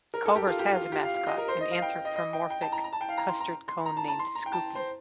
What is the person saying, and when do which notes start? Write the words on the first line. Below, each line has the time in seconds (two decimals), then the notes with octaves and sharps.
Culver's has a mascot: an anthropomorphic custard cone named Scoopie.
0.14 A#4
0.25 A4
0.36 G4
0.47 F4
0.59 G4
0.70 F4
0.82 F4
0.92 G4
1.03 F5
1.14 F5
1.26 D#5
1.38 A#4
1.48 C5
1.61 D#5
1.71 F5
1.82 G5
2.05 D#5
2.16 D#5
2.33 G5
2.50 G5
2.62 A5
2.72 A#5
2.84 A#5
2.93 A5
3.01 G5
3.09 F5
3.17 A#5
3.29 C6
3.40 A#5
3.68 C6
3.86 A#5
3.97 A5
4.08 A5
4.19 C6
4.35 A#5
4.46 G5
4.53 A5
4.75 C5